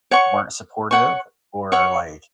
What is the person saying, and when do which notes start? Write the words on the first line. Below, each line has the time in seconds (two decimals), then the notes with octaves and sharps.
weren't supportive, or like,
0.11 C#5 F#5 C#6
0.91 C#5 F#5 C#6
1.72 C#5 F#5 C#6